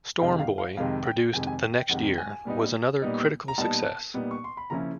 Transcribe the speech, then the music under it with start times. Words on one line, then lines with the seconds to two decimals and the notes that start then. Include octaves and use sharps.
"Storm Boy", produced the next year, was another critical success.
0.21 F2 C3 D#3 G#3 F5
0.39 F5
0.58 F5
0.77 F2 C3 D#3 G#3 F5
1.06 G5
1.33 F2 C3 D#3 G#3 G#5
1.47 G#5
1.62 G5
1.76 G5
1.89 F2 C3 D#3 G#3 F#5
2.18 G#5
2.45 A#2 G3 B3 D#4
3.02 A#2 G3 B3 D#4
3.48 A#5
3.58 A#2 G3 B3 D#4 A5
4.14 A#2 G3 B3 D#4
4.31 C#6
4.44 C6
4.57 B5
4.70 C#3 F3 A#3 C#4 E4 A#5